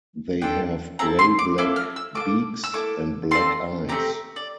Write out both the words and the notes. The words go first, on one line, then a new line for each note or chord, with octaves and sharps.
They have gray-black beaks and black eyes.
D4 F4 A4 G5
C4 E4 A4 A#5
C6
D6
A#3 E4 A4 D6
F6
E6
F4 A4 D6
A#3
E6
A#3 E4 A4 D6
C4 F4 A4 C6
A3 C4 G4 A#5
D5